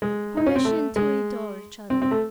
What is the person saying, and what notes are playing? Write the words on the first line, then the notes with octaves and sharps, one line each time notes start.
"Permission to adore each other!"
G#3
D#4
C#4
C4
A3
G#3
C4
C4
A3